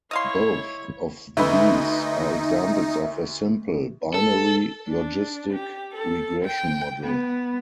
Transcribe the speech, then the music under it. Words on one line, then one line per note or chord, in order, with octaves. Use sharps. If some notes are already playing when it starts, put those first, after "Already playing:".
Both of these are examples of a simple, binary logistic regression model.
E4 C#5 D#5 F5 C6
D2 D#4 B4 E5
A4
D4
G4
A4
G5
B3